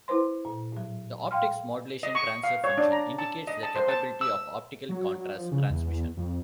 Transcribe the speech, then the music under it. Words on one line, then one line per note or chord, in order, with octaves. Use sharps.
In optics, modulation transfer function indicates the capability of optical contrast transmission.
E4 B4 C5 C6
A#2
A2 F#3
F5 G5 C6 F6
D#5
C#6
F5
C#5
D4
A#5
A5
D#5
A5
C5
A5
E6
F#3
F3
C#3
E2
F2